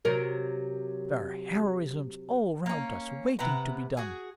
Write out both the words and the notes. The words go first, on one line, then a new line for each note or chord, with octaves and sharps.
There are heroisms all round us waiting to be done.
C3 F#3 A#4
A#3 C#4
C3 B4 F#5 A#5
F#4 G#4